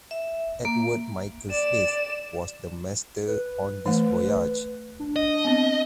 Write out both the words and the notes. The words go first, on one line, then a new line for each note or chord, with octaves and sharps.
Edward Michael Smith was the master on this voyage.
E5
A#3
D5 E7
B4
E3 A3
D4
D#5
B3 C4